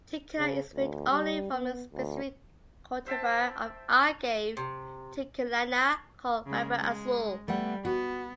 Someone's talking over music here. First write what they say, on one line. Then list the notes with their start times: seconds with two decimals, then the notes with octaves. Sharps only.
Tequila is made only from a specific cultivar of Agave tequilana called Weber Azul.
0.38 C#3
0.74 D2
1.10 G3
1.52 B3
1.94 D2
3.06 C5 E5 G5 A5
4.57 C3
6.46 C#3 G#3
6.78 G#3
7.48 G3 A3 B3 F#5
7.85 B3 F#4